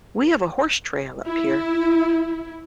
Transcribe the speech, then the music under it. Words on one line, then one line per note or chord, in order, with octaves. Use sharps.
we have a horse trail up here
E4